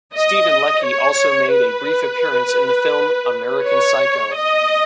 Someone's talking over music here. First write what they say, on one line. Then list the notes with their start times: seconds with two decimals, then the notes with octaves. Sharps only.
Steven Leckie also made a brief appearance in the film, "American Psycho".
0.14 D#5
0.84 C#5
1.53 B4
3.63 C#5
4.34 D#5